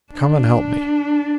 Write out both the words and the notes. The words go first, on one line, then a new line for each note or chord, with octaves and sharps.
"Come and help me."
D4